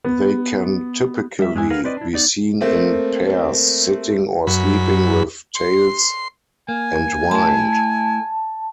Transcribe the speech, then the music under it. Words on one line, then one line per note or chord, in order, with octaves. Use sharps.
They can typically be seen in pairs sitting or sleeping with tails entwined.
B3
G3 E5
G2 G#3 D4 E4 G#5
G#4 A#4 B4 F5 F#5
C4 B4 D5 D#5
D4 E4
B3 D#4 D5
A3 A#3 C4
F#2 B5
C6
A#3 G#5
A3 E4 A5